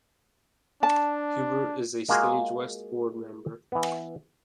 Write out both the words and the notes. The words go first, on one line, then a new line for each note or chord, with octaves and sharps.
Huber is a Stage West board member.
D4 A5
G#3 A#3 F4 F#4 G#4
E3 B3